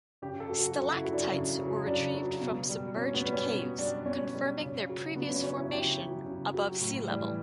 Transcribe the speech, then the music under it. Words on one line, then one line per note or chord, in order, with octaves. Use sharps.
Stalactites were retrieved from submerged caves, confirming their previous formation above sea level.
C#3 G4
A4
F#3
F#4
C#3 F#4
E4
F#3
D4
C#3
F#3
C#3 D4
F#3
B2
G3
B2 C#4
B3
G3
C#4
B2
G3 D4
D4
B2 C#4
G3
C#3
F#3
C#3 B3
C#4
F#3 C#4
E4
C#3 G4
F#3
C#3
F#3
A2
E3 G3